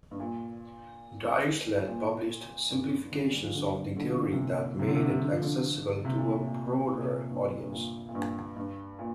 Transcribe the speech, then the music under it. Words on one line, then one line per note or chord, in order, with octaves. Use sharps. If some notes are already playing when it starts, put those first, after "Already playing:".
Dirichlet published simplifications of the theory that made it accessible to a broader audience.
G2
A#2
A#2
G2
D3
G3
F3
D3
D3
F3
D3
C3
A#2
C3
D3
C3
D3
C3
D3
F3
D3
C3
A#2
C3
A#2
A#2
C3
A#2
G2
G2
A#2
A#2
G2
G2
A#2